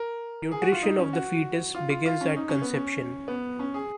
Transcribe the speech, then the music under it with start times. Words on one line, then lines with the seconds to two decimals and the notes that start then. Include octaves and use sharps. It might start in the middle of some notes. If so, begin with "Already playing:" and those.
Nutrition of the fetus begins at conception.
Already playing: A#4
0.51 G#4
0.62 F#4
0.72 F4
0.83 D#4
0.99 C#4
1.13 F#4
1.75 F4
1.90 F4
2.06 F4
2.21 C#4
2.36 D#4
2.49 C#4
2.62 B3
2.74 C#4
3.28 B3
3.59 C#4
3.74 G#4